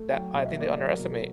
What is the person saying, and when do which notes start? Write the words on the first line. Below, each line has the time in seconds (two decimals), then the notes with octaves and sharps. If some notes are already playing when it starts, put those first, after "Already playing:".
that, I think they underestimate.
Already playing: A3
0.11 F#3 G5
0.33 B2
0.39 D#5
0.45 E5
0.56 A#3 D5
0.77 F#3 D5
0.94 A#4
0.99 B2
1.04 A#4
1.11 A4